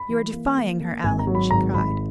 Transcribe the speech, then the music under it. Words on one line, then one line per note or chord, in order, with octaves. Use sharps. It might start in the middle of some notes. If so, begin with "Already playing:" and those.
"You are defying her, Allan!" she cried.
Already playing: B5
E3
A#3
A#3
A#3
G#1 G#5
A#5
F#3
B5
G#1 A#5
G#1 B5